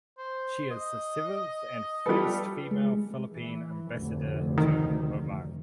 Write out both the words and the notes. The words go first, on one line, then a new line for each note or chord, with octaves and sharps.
She is the seventh and first female Philippine Ambassador to Oman.
C5
D#5
G3 F4 A4 B4
G#3
E3
F1 D2
D#3